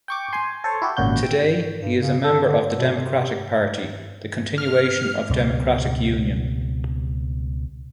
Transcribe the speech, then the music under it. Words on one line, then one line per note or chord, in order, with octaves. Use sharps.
Today, he is a member of the Democratic Party, the continuation of Democratic Union.
G5 C#6 D6
G#5 C6
A4 C5 C#5
E4 F#4 G4
G#1 A#2 C#3 F#4 G6
G5
G2
C#3
A4
D3
B2
C3
F6
C#2 B2 G3 C4